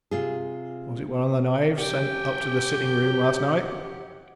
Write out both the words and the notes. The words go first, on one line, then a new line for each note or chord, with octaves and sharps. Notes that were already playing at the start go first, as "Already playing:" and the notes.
"Was it one of the knives sent up to the sitting-room last night?"
C3 F4 G#4
F#2 F#3 G4 F#5 G5 G6